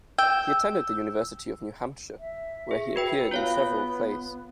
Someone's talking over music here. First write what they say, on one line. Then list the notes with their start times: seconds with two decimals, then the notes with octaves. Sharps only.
He attended the University of New Hampshire, where he appeared in several plays.
0.18 G5 E6
2.19 E5
2.71 G#4
2.96 F#4 B4 G5
3.31 B3 F4 C#5 F5